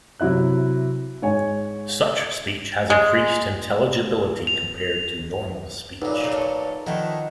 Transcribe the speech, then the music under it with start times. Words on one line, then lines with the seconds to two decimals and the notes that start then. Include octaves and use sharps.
Such speech has increased intelligibility compared to normal speech.
0.20 C3 F#3 E4 E5 F#6
1.22 G#2 C#5 G#5
2.90 G#3
4.47 F7
6.02 B1 A#2 D#4 B4
6.20 C#3 E3
6.32 A4 A#4 C#5
6.87 D#3 F3 A3 D4 E4 D#5 F#5